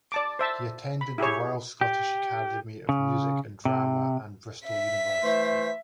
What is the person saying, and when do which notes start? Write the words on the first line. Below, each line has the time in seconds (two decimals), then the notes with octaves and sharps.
He attended the Royal Scottish Academy of Music and Drama and Bristol University.
0.12 D5 A5 D6
0.39 C5 E5 A5
1.01 B5
1.18 E4 G4 G#4 C#5
1.81 G4
2.89 C#3
3.65 C3
4.67 E5 B6
5.23 E3 A3 C5